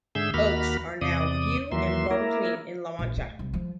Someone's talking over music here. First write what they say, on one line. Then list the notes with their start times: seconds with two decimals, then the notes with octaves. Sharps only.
Oaks are now few and far between in La Mancha.
0.15 G#2 D3 G#4 E5 E6 G6
0.34 D#2 A#3 F#4 B5 F6
1.01 E2 C3 D5 D#6
1.72 D#2 E3 F#3 A#3 E5 C6
2.11 A#3 E4 A#4
2.99 A#1
3.17 A3
3.39 C2
3.54 F3